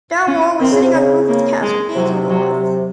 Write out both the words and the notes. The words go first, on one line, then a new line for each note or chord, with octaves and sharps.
Dalmor was sitting on the roof of the castle, gazing north.
C#4
D#3 C4
C#3
C3
C#3
A#3
G#3
C3 F#3
F#3